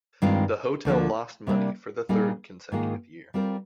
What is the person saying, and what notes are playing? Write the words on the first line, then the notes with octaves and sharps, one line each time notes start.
The hotel lost money for the third consecutive year.
G2 D#3 G#3 C4 F4
D2 D3 F3 A#3
C3 G3 A#3 D4
A#2 G3 A#3 D#4 G#4
G#2 D#3 A#3 F4 G#4
G3 C4 F4 A#4